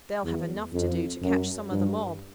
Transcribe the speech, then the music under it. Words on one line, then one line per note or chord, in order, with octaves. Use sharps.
They'll have enough to do to catch some of the mob.
E2
F2
F#2
G2